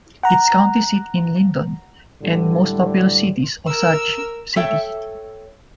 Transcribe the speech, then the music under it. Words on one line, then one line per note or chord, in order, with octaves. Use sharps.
Its county seat is Lyndon, and its most populous city is Osage City.
F#5 A#5
A2 D3 G3
A#4 E6
A4 C#5 E5 G5